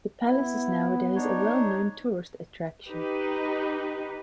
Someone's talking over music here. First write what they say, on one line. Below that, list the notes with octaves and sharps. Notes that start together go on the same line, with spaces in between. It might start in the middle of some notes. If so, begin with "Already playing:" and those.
The palace is nowadays a well known tourist attraction.
B3 E4
D4 D#4 C#5
D#4 G4 B4